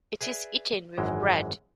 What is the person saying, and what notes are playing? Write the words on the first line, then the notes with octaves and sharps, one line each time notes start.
It is eaten with bread.
G#4 B4 D5 E5
G#1 F#2 E3 G#3 G5